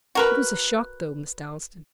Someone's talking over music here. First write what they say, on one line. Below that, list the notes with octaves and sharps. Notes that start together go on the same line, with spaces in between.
It was a shock, though, Miss Dalstan.
F#4 A#4 B4